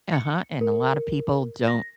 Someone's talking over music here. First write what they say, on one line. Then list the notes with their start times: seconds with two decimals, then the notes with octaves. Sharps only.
Uh-huh, and a lotta people don't
0.13 C#7
0.61 A#4
1.68 A#6